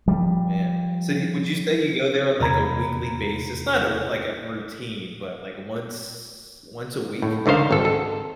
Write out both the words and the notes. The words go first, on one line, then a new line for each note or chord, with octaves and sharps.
Man. So, do you would you say you go there on, like, a weekly basis? Not a w like, a routine, but, like, once once a week.
F3 G3
E2 C3 A#5 B5 G#6
A2
C#2 D3 D#3 C5 F5
G#1 A4
A4